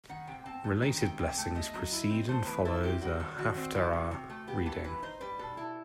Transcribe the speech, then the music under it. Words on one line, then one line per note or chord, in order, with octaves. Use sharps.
Related blessings precede and follow the Haftarah reading.
D#3 F#5
C3 G5
C4 A5
A3
D#3 G5
C3 G5
C3 G5
A3
A3 D#5
F#3
E4
C4
A3 C5
E3 B4
E4 A4
C4 G4
G3 F#4
D#3
D#3 F#4
C4
E3 F#4
C3
C3
A3
B3 G4
E3 A4
E3 B4
D#4 C5
G3 B4
B2 A4
E4 A4